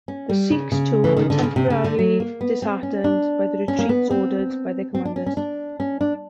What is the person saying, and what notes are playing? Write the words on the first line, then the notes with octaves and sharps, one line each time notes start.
The Sikhs too were temporarily disheartened by the retreats ordered by their commanders.
C#4
G3
C#3
C#3
E3
D#3
D3
C#3
C3
C#3
D3
F#3
A#3
B3
C4
C#4
D4
C#4
A#3
B3
C4
C4
D4
C#4
C#4
D4
C#4
D4